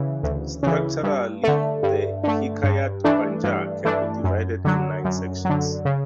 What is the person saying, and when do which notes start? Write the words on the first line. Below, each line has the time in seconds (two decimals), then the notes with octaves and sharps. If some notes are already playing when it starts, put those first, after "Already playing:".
Structurally the Hikayat Banjar can be divided in nine sections.
Already playing: C#3 E3
0.23 D2
0.63 C#3 E3
1.03 G2
1.44 D3 A3
1.83 G2
2.24 D3 A3
2.63 G2
3.04 E3 A3 D4
3.44 G2
3.85 E3 A3 D4
4.24 F#2
4.65 D3 F#3
5.05 F#2
5.45 D3 F#3
5.85 C#3